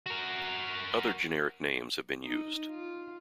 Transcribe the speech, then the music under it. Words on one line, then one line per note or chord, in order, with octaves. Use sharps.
Other generic names have been used.
F#4 A#4
D#4
F4